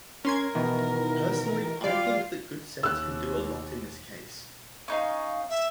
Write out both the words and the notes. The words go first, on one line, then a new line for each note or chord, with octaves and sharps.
Personally I think that good sense can do a lot in this case.
C#4 A#4 C6 G#6
B2 D#3 E3 B3
G3 F4 D5 F5
D#2 E6 F#6
C#4 D#4 F5
E5